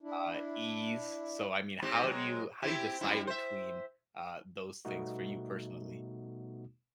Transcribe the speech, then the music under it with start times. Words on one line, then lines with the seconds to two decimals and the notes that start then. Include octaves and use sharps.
uh, ease, so I mean, how do you how do you decide between, uh, those things for you personally?
0.01 D4 E4
1.82 G#2 C4 G4
2.04 F#3 G#3
2.62 C4 E4 G4
3.01 F#2 G3 E4
3.27 C5 E5
4.85 B2 G3 A3 B3 D#4 F#4